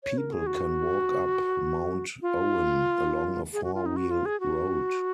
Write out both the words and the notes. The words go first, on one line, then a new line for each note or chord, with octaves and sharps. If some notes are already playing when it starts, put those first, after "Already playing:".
People can walk up Mount Owen along a four wheel road.
C#5
A#4
G#4
F#4
F4
G#4
F#4
F4
D#4
F#4
F4
G#4
F#4